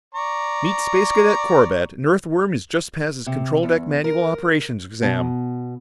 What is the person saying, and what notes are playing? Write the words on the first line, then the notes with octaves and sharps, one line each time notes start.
"Meet Space Cadet Corbett--an Earthworm who's just passed his control-deck manual operations exam!"
D5 A#5 C#6
C3
E2
A#4
B2